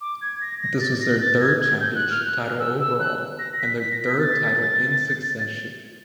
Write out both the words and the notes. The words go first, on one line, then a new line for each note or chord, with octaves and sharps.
This was their third championship title overall and their third title in succession.
D6
G#6
A#6
A#6
A6
A#6
A6
G#6
G#6
G6
F#6
F6
F#6
E6
E6
F#6
A#6
B6
B6
A#6
B6
A6